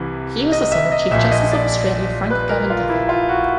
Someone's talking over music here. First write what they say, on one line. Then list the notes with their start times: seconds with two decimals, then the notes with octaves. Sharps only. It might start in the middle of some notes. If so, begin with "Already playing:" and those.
He was the son of Chief Justice of Australia Frank Gavan Duffy.
Already playing: C2 C3 E3
0.52 D#5
0.72 E5
0.92 D#5
1.11 A#1 A#2 F3 E5
1.31 D#5
1.52 D5
2.31 B4
2.49 A#4
2.70 F4
2.89 E4
3.09 F4
3.29 F#4